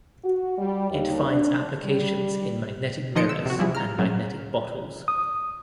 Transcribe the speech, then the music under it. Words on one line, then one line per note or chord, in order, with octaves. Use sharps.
It finds applications in magnetic mirrors and magnetic bottles.
F#4
G3
D#2
D4
G3
D#3 F3 D#5 C6 C#7 D7
E6
C3 F#4
F3 G3 E4 F4 G#4
A#5 F6
A#2 C#3 F#3
D#6